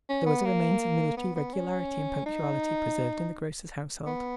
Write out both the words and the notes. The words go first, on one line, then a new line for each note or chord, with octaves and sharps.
There was a remains of military regularity and punctuality preserved in the grocer's household.
C#4
B3
A#3
B3
B3
C#4
D#4
B3